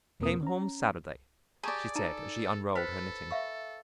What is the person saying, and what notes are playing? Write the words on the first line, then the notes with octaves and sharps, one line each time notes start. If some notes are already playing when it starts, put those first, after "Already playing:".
"I came home Saturday," she said, as she unrolled her knitting.
E2 B2 A#3 C4 A#4 D#6
C#4 A#5
G4 G#4 D5 A5 A#5 C#6
D#4 A4 A5 A#5
A4 B4 C5 B5
E5 F5 C#6